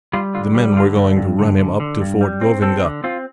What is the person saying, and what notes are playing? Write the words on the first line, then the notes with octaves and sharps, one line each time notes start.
The men were going to run him up to Fort Govindghar.
G3 F4
D3 F4
G3
D3 F4
G2
G2
D3
D3
D3
G2
G3
C4
C4 A4
D3
C4 F4